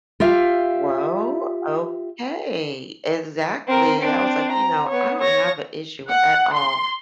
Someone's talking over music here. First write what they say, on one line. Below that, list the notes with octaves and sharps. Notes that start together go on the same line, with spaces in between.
well, okay." Exactly, I was like, you know, "I don't have a issue at all.
F4 G4 E5 F5
C4 A#4
C4 D4
A#5
B3 C#5
C#5 A#6
F#5
C6